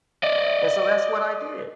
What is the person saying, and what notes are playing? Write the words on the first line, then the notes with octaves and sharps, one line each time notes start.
and so that's what I did,
D5 D#5